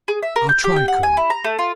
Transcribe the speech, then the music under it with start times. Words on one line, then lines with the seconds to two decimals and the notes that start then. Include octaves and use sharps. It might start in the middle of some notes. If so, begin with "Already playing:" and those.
"I'll try, Colonel!"
0.08 G#4
0.23 E5
0.36 A#4
0.49 G6
0.64 G4
0.76 G5
0.88 F#5
1.03 G#5
1.17 E4
1.30 A#5
1.44 A3
1.59 F4